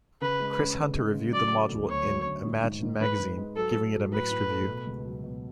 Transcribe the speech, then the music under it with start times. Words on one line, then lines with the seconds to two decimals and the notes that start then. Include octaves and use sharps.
Chris Hunter reviewed the module in "Imagine" magazine, giving it a mixed review.
0.21 C#3 B4
0.40 G#3
0.58 C#4
0.77 C#3
0.96 G#3
1.14 C#3
1.33 F#3 D5
1.52 A3
1.70 D2
1.89 D2 C#5
2.08 F#3
2.26 D2
2.45 G#2
2.63 G#2
2.83 G#2
3.01 G#2 B4
3.20 G#2
3.37 G#3
3.56 F#3 A4
3.76 A2
3.94 F#3
4.12 A2 B4
4.31 A2
4.50 A3
4.67 B2
4.87 C#2
5.06 F#3
5.24 B2